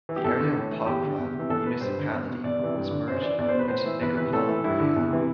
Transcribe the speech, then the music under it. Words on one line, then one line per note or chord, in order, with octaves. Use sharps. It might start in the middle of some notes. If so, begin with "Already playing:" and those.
The area of Pokrov Municipality was merged into Nikopol Raion.
E3
G4
E2 A4
D3
A2
E3
E2 G4
D3
E2
C3 E3
E2 A4
B2 B4
G2 C5
D3
E2
B2
E2 D5
C3 E3
G2
D3
F#2 C5
E3 D5
E2 D5
C5
B2
B4
A2 C5
E3
E2 B4
C3 E3 B4
A2 A4
E3
G2 E4
D3
E2
C3 E3